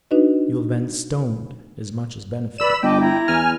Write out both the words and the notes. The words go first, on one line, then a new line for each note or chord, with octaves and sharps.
You have been stoned as much as benefited.
D4 D#4 F#4 B4 D#5
B4 D5 B5 E6 E7
G1 D#5 G5 A5 D6
E4 A#5
E2 G#5 F6